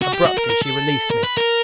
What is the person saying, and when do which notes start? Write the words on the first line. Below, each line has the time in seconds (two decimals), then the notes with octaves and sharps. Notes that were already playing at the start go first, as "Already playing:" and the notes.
Abruptly she released me.
0.02 F#4
0.13 G4
0.25 F#4
0.38 A#4
0.50 A#4
0.62 A4
1.10 A#4
1.24 B4
1.37 A#4